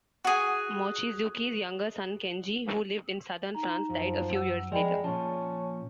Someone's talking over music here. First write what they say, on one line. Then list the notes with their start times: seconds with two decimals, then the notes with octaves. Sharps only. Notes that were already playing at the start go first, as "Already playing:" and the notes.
Mochizuki's younger son Kenji, who lived in southern France, died a few years later.
0.25 F#4 G#4
3.55 D#4 A#5
3.90 F#2 F3
4.34 F#5 E6
4.72 F2 F3 G#3 A#4 D5 G5 B5
5.04 A#2 F3 C#4 A5